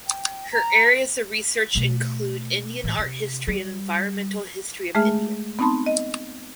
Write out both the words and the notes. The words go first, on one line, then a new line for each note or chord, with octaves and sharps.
Her areas of research include Indian Art History and Environmental History of India.
G5
A#5
B2 A3
A2 E3
C3
G3
G#3 A3 G#4 E5 F6
B3 C4 D#4 A5 B5 C6
D#5